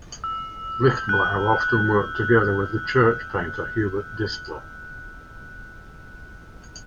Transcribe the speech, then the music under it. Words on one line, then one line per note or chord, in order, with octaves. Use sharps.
Lichtblau often worked together with the church painter Hubert Distler.
E6
G6
F#6